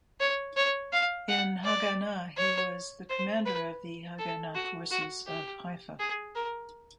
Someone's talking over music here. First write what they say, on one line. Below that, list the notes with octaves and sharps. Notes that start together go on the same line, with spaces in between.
In Haganah he was the commander of the Haganah Forces of Haifa.
C#5
C#5
F5
F#5
D5
C#5
C5
B4
A4
F#4
F#4
G4
G#4
A#4